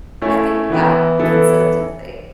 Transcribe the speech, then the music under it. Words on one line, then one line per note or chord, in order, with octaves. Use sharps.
I think, yeah, consistency.
A3 C#4 E4
E3 B3 E4
E3 B3 E4 A4